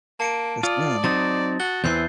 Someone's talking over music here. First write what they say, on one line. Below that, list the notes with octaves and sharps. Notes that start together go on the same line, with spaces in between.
Yes, ma'am.
A#3 A5 C#7 D7
F4 D5 D#6
F#3 C4 D#4 A6
F#4 A6 G7
E2 D3 E3 C4 G6 C7